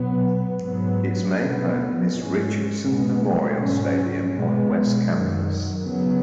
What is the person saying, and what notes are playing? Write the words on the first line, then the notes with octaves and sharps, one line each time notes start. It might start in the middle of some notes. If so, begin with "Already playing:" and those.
Its main home is Richardson Memorial Stadium on West Campus.
Already playing: B2 F#3 B3
G#2 F#3 B3
B2 B3
G#2 G#3 C#4
B2 G#3 B3
G#2 F#3 C#4
B2 G#3 B3
F#2 D#3 F#3
C#3 F#3 B3